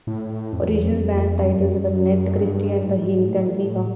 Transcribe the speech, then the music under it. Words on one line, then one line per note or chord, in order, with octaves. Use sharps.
Original band titles were "Ned Christie and The Heat" and "Viva".
A2
F2
E2
F2
F#2
G2
G#2
A2
G#2
A2